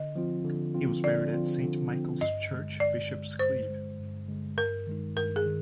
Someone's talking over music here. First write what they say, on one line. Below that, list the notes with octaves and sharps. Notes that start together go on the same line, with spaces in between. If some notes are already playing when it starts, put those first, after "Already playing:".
He was buried at Saint Michaels church Bishops Cleeve.
Already playing: D3 D#5
F3 C4 F4
D3
F3 C4 F4
D3 D5
F3 C4 F4
D3
F3 C4 F4
G2 D#5
D3 G#3
G2 D5
D3 G#3
G2 C5
D3 G#3
G2
D3 G#3
G2 A#4
D#3 G#3 D#4
G2 A#4
G#4
D#3